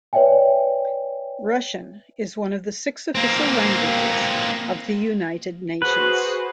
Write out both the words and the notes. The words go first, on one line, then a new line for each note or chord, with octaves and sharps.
Russian is one of the six official languages of the United Nations.
B4 C#5 D5 E5 G5 G#5
A#3 C4
F#4 G#4 B4 C5